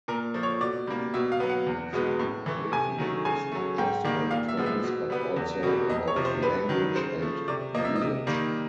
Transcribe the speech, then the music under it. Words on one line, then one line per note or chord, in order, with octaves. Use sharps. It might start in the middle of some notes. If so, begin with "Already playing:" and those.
Legal lexicography is not just about terms, but also about language and usage.
A#2 A#4
F3 A3
C#5
B2 D5
G3 A#3
B2 E5
F5
F#3 B3
F#5
E2
B2 G#3 B3
A2
E3 A3
C3 G#5
D#3 F#3 A3
C#3 G#5
F#3 A3
G#2 G5
D#3 G3 A#3
A#2 F5
E5
F3 G#3 B3
E5
B2
G3 B3
E2
B2 G3
F2 D#5
C#5
C3 F3
C5
G2 B4
D#3 F#3
C#3 C5
F3 A3
C3 D5
F3 A#3 D#5
E5
D#5
C3
D#3 G3 A#3